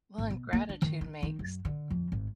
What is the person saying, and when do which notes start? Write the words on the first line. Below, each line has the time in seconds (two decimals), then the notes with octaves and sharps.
Well, and gratitude makes
0.18 G#1
0.30 B2
0.53 A#3
0.69 D4
0.82 D#3
1.01 D#4
1.22 D#3
1.39 F#2
1.65 D3
1.90 F2
2.12 G#1